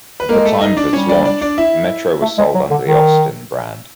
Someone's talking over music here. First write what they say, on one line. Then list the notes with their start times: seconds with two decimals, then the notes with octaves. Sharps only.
At the time of its launch, the Metro was sold under the Austin brand.
0.20 B4
0.29 G#3 A#3 A#4
0.45 A3 A4
0.61 D#4 D#5
0.77 D4 D5
0.93 G3 C#4 C#5
1.09 D4 D5
1.25 D4 D5
1.41 D4 D5
1.58 E4 E5
2.22 A3
2.38 G#3
2.54 F#3
2.71 D3
2.87 D#3